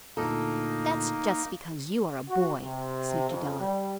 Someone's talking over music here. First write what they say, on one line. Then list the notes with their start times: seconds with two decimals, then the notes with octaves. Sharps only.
"That's just because you are a boy," sniffed Adela.
0.17 D2 A#2 A#3 D#4 A4
2.28 F#4
2.60 C3
3.29 F2
3.58 G3